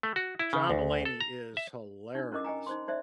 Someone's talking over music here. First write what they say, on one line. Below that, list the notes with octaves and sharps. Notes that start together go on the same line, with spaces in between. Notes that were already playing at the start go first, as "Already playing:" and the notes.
John Mulaney is hilarious.
A3
F#4
E4
C#3
D2
A4
A#5
E5
D4 D#4
C#4 E4 A#4 D#5 D6
D#5 G5 G#5 A#5
D#4 C5 C6
D#4 C5 D5 E5